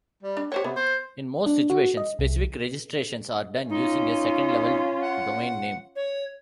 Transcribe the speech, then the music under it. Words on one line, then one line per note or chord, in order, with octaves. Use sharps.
In most situations, specific registrations are done using a second level domain name.
G3
D4
G4 C5 C#5 G5
C3 B3
C5
D4
F#4
D#5
C2
C#4 D#4 F4
F#5
C#5